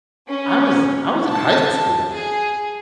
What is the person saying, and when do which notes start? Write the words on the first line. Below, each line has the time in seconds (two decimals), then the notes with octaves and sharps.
I was I was in high school,
0.28 C#4
1.28 A5
2.11 G#4